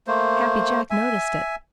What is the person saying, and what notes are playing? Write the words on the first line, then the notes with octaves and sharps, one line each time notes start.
Happy Jack noticed it.
A3 A#3 C5
E5 G#5